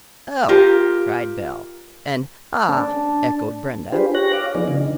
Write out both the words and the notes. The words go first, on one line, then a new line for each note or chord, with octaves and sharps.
"Oh," cried Belle, and "Ah," echoed Brenda.
F4 G4 A#4
D4
D4 F4 G4 G#4 B4 C5
G4 C#5 F#6 A#6
F5 D6
F3 B3 D#4 G#4 D5
C#3 E3 D4 D#4